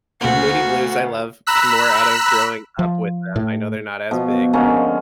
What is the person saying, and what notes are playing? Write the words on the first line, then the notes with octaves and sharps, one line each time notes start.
Moody Blues, I love, more out of growing up with them. I know they're not as big,
D2 A#3 F#4 F#5
A#5 B5 E6 F#6 B6
F3
A2
B2 F3
D3 G#3 A#3 C#4